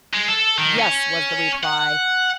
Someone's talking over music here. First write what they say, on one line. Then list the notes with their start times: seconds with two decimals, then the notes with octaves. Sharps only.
"Yes," was the reply.
0.14 G#3
0.28 A4
0.58 D#3
0.79 C#4
1.63 F#5